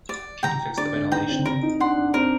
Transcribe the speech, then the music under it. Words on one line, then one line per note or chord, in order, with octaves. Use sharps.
Can you fix the ventilation?
D5
G5 A#5
D3 D5
D3
D#3 G5 A#5
C4
C4 A#4
D#4
D4 F#5 C6
D4
C4 A#4